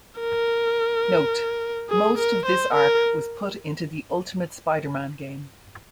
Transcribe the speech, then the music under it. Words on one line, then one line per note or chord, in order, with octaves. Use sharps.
Note: Most of this arc was put into the Ultimate Spider-man game.
A#4
G#4
A#4
C5
A#4